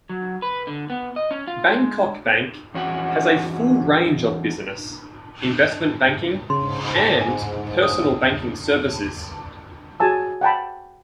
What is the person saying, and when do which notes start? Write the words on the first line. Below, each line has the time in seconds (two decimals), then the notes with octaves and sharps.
Bangkok Bank has a full range of business, investment banking and personal banking services.
0.09 F#3
0.42 B4
0.67 D3
0.90 B3
1.16 D#5
1.31 C#4
1.48 F4
1.72 G#3
2.74 E2 C#4 F#4 F#5
6.50 G#2 C#3 C6
7.21 G#5
7.82 D#6
10.00 F#4 G#4 G#5 A5 E6
10.41 F#5 G5 A5 B5